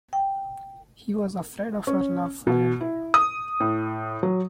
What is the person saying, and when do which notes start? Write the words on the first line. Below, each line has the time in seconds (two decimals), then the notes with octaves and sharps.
He was afraid of her love for him.
0.13 G5
1.87 C#4
2.47 B2
2.81 E4
3.14 D#6
3.60 A2
4.23 F#3